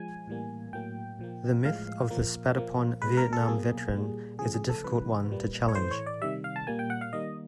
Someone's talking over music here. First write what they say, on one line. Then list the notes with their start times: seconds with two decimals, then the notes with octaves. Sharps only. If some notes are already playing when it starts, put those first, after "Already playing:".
The myth of the spat-upon Vietnam veteran is a difficult one to challenge.
Already playing: F3 G#3 G#5
0.28 A2 E3 G3 A#3
0.73 A2 F#3 A#3 G5
1.19 A#2 F3 A#3
1.65 A2 F3 G#3 F5
2.10 A#2 F3 A#3
2.56 A#2 F3 A#3
3.02 B2 G#3 B4
3.17 A#4
3.33 A4
3.47 B2 F#3 A#3 G#4
3.93 A#2 G3 A#3
4.39 C#3 F3 A3 G#4
4.54 G#4
4.69 A4
4.84 C3 E3 G3 B4
5.30 A#2 G3 A#3
5.68 C#5
5.75 A2 E3 A3 C5
5.91 C#5
6.06 D5
6.22 C3 D#3 G3 E5
6.44 F5
6.56 A5
6.67 A#2 G3 A#3 G#5
6.79 G5
6.90 F#5
7.01 F5
7.13 D#3 G3 A#3 D#5